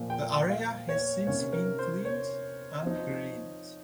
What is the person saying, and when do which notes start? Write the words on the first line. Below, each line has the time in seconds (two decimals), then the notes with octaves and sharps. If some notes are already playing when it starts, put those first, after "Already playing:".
The area has since been cleaned and greened.
Already playing: A#2 F3 A#3
0.10 G5
0.50 F5
0.89 C#5
1.27 C3 D#3 A#3 C#4 C#5
1.53 A#4
1.79 C5
2.05 C#5
2.83 F3 C4 D#4